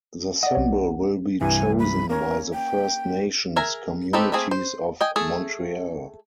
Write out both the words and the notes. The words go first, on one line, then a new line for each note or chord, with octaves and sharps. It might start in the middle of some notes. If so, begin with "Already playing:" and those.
The symbol will be chosen by the First Nations communities of Montreal.
D5 D#5 F#5
B1 C#5
C2 G2 E3 G#5
B5
A#3 C#4 A#4 C#5
G5
G#4 A#4 E5 G#5 A#5
C4 D#4 G4 A4 B4
A3 A#3 C4 G#4
C5
D#5 G5 G#5
A3 G#4 A4